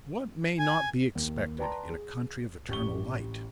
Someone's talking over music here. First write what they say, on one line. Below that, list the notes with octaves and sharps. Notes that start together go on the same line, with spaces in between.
What may not be expected in a country of eternal light?
G#5
D#2
B4 D5 G5 A5 A#5 C6
G#4
A1 G4 C#6 G7